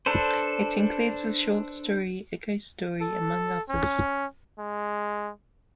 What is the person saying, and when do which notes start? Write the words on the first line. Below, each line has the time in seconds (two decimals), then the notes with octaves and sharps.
It includes the short story "A Ghost Story", among others.
0.06 D4 A4 B4 C5
3.01 A4
3.69 C#4
4.59 G#3